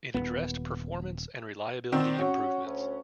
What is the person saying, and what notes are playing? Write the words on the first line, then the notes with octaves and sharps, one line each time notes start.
It addressed performance and reliability improvements.
D#1 F2 B3
D#3 C4 D5 F#5
C#4 F#4
D2